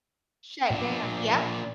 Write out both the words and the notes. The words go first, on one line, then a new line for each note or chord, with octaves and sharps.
shut down Yep.
A#2 D4